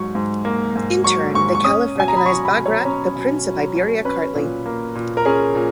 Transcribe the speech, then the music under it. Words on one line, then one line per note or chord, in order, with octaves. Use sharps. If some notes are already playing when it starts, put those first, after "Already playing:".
In turn, the Caliph recognized Bagrat the prince of Iberia-Kartli.
Already playing: G#2 F#3 C#6
G#2
A#3
G#2
F#3 C#6
G#2 C#6
C#6
C#4 D#6
B2 G#5
A#5
B5
F#3 C#6
B5
B2
C#5
C#4
B2
F#3
B2
C#4 B4
A#2
A#3
A#2
A#4
C#4 G#4
A#2